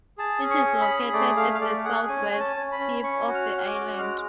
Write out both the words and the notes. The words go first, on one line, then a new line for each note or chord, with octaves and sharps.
It is located at the southwest tip of the island.
G#4 A5
C#4
C#6
G#4
B5
G#4
A3 D5
A3 F5
F5
A3 D5
G#4 F#5
C#4 G#5
C#4 G#5
A5
C#4
B5
C#4
C#4 C#6
F#4
F6
C#4
D6
F#4
G#3 F6